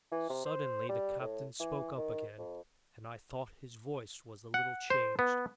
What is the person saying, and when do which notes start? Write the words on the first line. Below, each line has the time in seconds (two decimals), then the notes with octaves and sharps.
Suddenly the captain spoke up again, and I thought his voice was a little changed.
0.12 E3
0.29 C3
0.45 C5
0.89 G3
1.20 A2
1.60 E3
1.97 D#3
2.38 F2
4.54 F#5
4.90 C5
5.19 B3